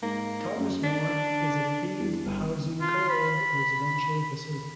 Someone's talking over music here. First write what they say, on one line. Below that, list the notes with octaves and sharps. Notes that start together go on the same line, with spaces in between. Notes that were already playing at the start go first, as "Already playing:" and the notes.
Thomas More is a themed housing co-ed residential facility.
G#2 A#3
F#2
D3 D4
E2
G1
F4
B5